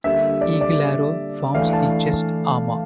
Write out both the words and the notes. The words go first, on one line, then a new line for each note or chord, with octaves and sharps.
Eaglearrow forms the chest armor.
D3 G3 A#3 E5
D5
D5
E3 A3 D4 F5
A5